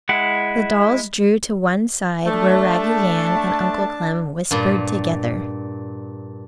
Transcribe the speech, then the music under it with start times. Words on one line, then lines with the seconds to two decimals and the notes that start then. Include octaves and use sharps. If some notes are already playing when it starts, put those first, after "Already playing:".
The dolls drew to one side, where Raggedy Ann and Uncle Clem whispered together.
0.09 G#3 E4 F#5
2.26 A3 D4 A5
4.51 G2 A#2